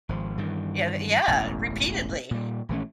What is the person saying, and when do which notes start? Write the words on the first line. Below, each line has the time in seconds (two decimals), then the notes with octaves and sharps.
Yeah, th yeah, repeatedly.
0.09 G#1 F3
0.38 G2 D#3 E3
1.28 E1 A1 F#2
2.31 A#2 G3
2.69 A#1 E3 A3 C#4